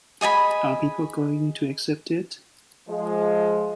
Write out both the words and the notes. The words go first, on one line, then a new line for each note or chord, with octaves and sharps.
Are people going to accept it?
G#4 D#5 G#5 B5
F3 G#3